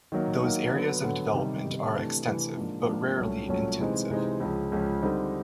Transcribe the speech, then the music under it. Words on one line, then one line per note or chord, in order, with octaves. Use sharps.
Those areas of development are extensive but rarely intensive.
D#3 F#3 A#3
D#3 F#3 A#3
D3 F#3 B3
D3 F#3 B3
C3 D#3 G3
C3 D#3 G3
C3 E3 A3 D4
C3 E3 A3 D4
G#2 F3 A#3 D4
G#2 F3 A#3 D4
C2 A#2 F#3 A3 C#4
C2 A#2 F#3 A3 C#4
C3 E3 G#3 C4 D#4
C3 E3 G#3 C4 D#4
C#2 C#3 F3
C#2 C#3 F3
D3 G3 C4 D#4